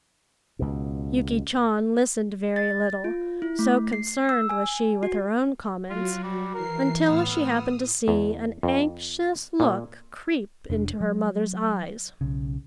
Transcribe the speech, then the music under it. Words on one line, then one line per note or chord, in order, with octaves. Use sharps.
Yuki Chan listened very little, so concerned was she with her own comments, until she happened to see an anxious look creep into her mother's eyes.
C#2 B2
A6
F4
E4
A3
C7
E6
G#5
F#4
F#3 F4 F#4
G3
E3 A#4 C7
A2 B3 E6 F6
D#6
E2
F2
A#2
F1 D4
F#3
B1 C#3